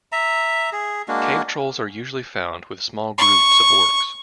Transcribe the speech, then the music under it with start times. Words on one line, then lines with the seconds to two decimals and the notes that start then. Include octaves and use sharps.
Cave-trolls are usually found with small groups of Orcs.
0.12 E5 A#5
0.72 G#4
1.08 G#3 A#3 D4 F#4
3.18 C#6